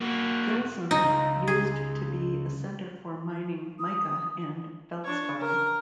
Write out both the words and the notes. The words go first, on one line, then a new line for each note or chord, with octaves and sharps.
Gilsum used to be a center for mining mica and feldspar.
A#3 F#4
C#2 D#4
G#4
D#6
D4 C#5
A#4 A#5